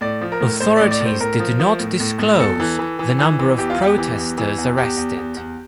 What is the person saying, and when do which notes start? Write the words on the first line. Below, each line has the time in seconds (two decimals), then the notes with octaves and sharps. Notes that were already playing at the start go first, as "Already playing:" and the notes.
Authorities did not disclose the number of protesters arrested.
0.01 A2 D5
0.21 F3
0.32 A#4
0.41 A2
0.60 A2 C5
0.76 A2 D5
0.91 D5
1.00 A2
1.06 C5
1.20 A2 A#4
1.40 F3
1.60 F3
1.80 A2
2.00 A2
2.19 A2
2.40 E2 A4
2.60 E3
2.79 E3
2.99 E3
3.19 E3
3.39 E3
3.58 E2 G4
3.70 F4
3.78 E2 G4
3.98 E3
4.18 E2
4.38 E3
4.58 E2
4.77 E2 G4
4.97 E2
5.17 E2
5.37 E2